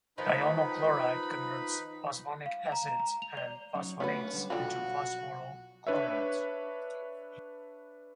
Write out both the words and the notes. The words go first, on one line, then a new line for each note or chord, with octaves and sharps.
Thionyl chloride converts phosphonic acids and phosphonates into phosphoryl chlorides.
D#3 F3 D#4 B4 B5
F5
A#5
A#5
A#5
F7
D5
F#3 C#4 D#4
A3 B3 C#4 D4 B4
D3 G3
B1 D3 F3 F4 F#4 G5 B5
D4 B4 C#5 E5